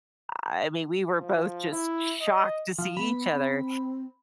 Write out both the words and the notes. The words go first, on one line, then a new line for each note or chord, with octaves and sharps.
I mean, we were both just shocked to see each other,
F3
E4
D#5
F3
B3 B5
C4